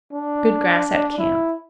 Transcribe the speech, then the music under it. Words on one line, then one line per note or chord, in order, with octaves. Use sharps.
Good grass at camp.
D4
E4